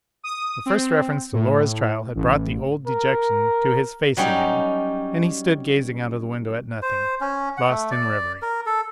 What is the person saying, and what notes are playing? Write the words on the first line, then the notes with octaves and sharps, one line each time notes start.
The first reference to Laura's trial had brought the old dejection to his face again, and he stood gazing out of the window at nothing, lost in reverie.
D#6
C4
A2
A1
A#4
F#3 G3 C#4 D#4 G4
C5
C#4
F#5
A3
D5
A#4
A4